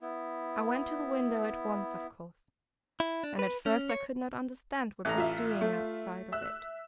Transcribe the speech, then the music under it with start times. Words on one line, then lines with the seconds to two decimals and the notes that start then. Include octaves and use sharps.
I went to the window at once, of course; and at first I could not understand what was doing outside of it.
0.01 B3 E4
3.00 E4
3.24 D4
3.39 B4
3.66 C#4
3.90 C#5
5.05 A1 A#5
5.18 F4 E5
5.61 A3
6.32 E5 E6 F#6